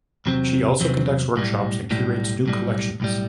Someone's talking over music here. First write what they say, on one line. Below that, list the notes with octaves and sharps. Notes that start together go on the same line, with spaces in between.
She also conducts workshops and curates new collections.
E2 C3 F#3 C4
E2 C3 F#3 C4
B1 A2 G3
B1 A2 G3
B1 A2 G3
B1 A2 G3